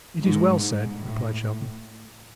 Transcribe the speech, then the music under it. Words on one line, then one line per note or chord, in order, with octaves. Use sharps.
"It is well said," replied Shelton.
G#2
G#2
A2